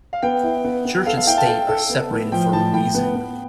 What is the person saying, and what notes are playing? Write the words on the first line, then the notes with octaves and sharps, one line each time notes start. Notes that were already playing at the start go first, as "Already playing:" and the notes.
Church and state are separated for a reason.
F5
B3 G5
E4
B3
B3
A4 F5
F5
E4 G5
A5
A4 G5
A4
B3
A2
F3 G5
A2 A5
A2 G5
B3
B3